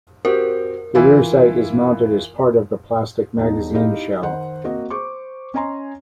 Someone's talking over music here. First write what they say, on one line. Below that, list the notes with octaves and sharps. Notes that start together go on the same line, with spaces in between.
The rear sight is mounted as part of the plastic magazine shell.
C4 F#4 G4 A#4
E3 E4 F4
E1 D#4
D#4 E4 G4 D#5 F5
D#3 C5 F#5
A#3 C4 F#4 D#5
C5 C#6 D6
C#4 D#5 G#5 A#5 C6